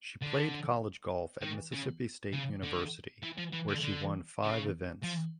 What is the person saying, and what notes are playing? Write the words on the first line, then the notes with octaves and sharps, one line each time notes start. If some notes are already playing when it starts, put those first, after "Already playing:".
She played college golf at Mississippi State University where she won five events.
D3
D#3
C#3
C#3
D3
E3
F3
E3
D3
D3
C#3
F3